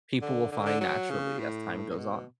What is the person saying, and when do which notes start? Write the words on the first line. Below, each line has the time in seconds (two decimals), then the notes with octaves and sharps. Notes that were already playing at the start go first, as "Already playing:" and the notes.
people will find naturally as time goes on.
0.22 D3
0.52 D3
0.66 D3
0.80 F#3
1.10 C#3
1.39 A2
1.90 A2
1.98 B2